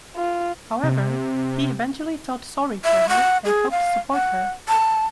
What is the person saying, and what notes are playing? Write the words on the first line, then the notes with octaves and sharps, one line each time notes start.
However, he eventually felt sorry for her and helped support her.
F4
C3
E5
F#5
G#4
F5
F#5
A5